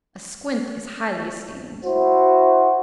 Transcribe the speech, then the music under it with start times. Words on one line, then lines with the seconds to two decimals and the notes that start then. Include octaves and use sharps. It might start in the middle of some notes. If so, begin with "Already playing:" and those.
A squint is highly esteemed.
1.86 E4 F#4 C5